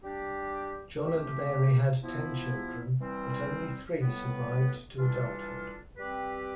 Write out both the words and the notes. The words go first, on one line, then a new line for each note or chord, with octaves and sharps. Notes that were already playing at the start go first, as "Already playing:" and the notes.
John and Mary had ten children, but only three survived to adulthood.
G3 D4 G4
A3 C4 G4
F3 B3 E4
E3 G3 C4
A2 G3 B3
E3 G3 D4 F4 A4
G3 C4 G4 B4